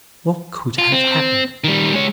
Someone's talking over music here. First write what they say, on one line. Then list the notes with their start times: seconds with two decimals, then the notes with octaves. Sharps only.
What could have happened?
0.79 F4
0.92 C4
1.64 D#3 G3
1.94 G#3 C#5